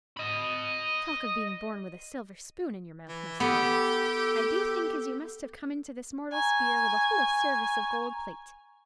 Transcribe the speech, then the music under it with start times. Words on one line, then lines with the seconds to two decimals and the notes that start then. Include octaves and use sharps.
Talk of being born with a silver spoon in your mouth, Miss Laura; I do think as you must have come into this mortal spear with a whole service of gold plate.
0.17 D#5 B5
3.08 E3
3.40 B3 G4 A4
6.32 G#5 A#5 C#6